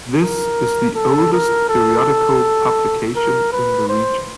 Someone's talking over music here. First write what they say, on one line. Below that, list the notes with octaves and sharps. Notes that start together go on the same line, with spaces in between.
This is the oldest periodical publication in the region.
A#4
A4
A#4
A4
A#4
B4
C5